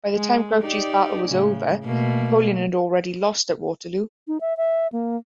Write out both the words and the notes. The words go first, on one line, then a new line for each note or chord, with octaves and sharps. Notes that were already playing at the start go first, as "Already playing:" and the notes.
By the time Grouchy's battle was over, Napoleon had already lost at Waterloo.
G#3
D#4 G4 D5
A2 C#3
B2 A3 A#3
D#4
E5
E5
A#3